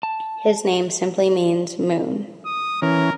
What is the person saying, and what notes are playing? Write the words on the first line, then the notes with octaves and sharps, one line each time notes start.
His name simply means "Moon".
A5
D#6
E3 C#4 A#4